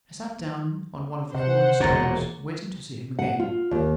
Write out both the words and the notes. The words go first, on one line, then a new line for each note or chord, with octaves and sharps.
I sat down on one of the fallen stones, waiting to see him again.
C3 C5 F#5
E1 A#2 C#5 A#5 A6
F#5
F4
D#2